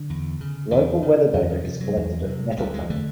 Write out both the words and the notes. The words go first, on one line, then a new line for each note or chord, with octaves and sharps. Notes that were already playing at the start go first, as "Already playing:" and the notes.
Local weather data is collected at Nettlecombe.
Already playing: D3
E2
C#3
E2 D#3
C#3
E2 D3
D#3
C3 F3
F#3
E2
C3
G#3
D2 G3
G#3
D3 A3